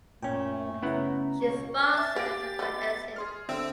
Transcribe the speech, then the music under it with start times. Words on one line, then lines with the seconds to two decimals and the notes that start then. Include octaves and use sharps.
She is sponsored by Asics.
0.22 F#2 A#2 A3 C#4 G5
0.83 C#3 B3 C#4 E4 F#5 A#5
1.41 C#2 B2 C#5 C#6
1.97 E5 A6
2.16 G4 G#4 G5 D7
2.59 B3 D#4
3.16 G#4 C6 F6
3.49 D3 C4 E5 E6